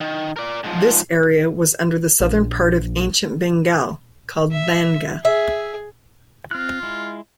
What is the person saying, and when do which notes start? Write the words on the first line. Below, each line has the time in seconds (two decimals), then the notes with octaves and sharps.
This area was under the southern part of ancient Bengal called Vanga.
0.01 D#3
0.36 A#4 D5
0.64 G#2 F3
2.20 A#1
4.52 E5
5.25 G#4 E5
6.51 C4 F4 F6 F#6
6.83 G#3 E4